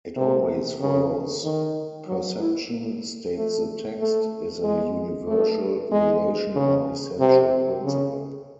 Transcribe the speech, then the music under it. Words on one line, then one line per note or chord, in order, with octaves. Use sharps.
It always follows perception, states the text, is a universal relation or essential principle.
C3
C#3
D#3
F#3
E4
A3
A3
G#3
A3
G#3
C#3
C3
C#3